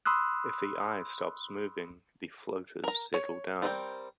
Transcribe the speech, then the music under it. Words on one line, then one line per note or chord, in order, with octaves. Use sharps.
If the eye stops moving, the floaters settle down.
B5 C6 D#6 E6 F#6
A#4 A#5
C#5
G3 C4 A#4 B4 G5